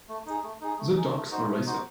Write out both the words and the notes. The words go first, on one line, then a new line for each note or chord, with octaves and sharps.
The dogs are racing.
A3
D#4 G#4
A3
D#4 G#4
A3
D#4 G#4
A3
D#4 F#4 C5
A3
D#4 F#4 C5